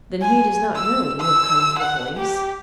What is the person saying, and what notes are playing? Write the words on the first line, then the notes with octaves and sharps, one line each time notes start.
"Then he does not know you have come for the police?"
G#5
E6
E6
F#5
G4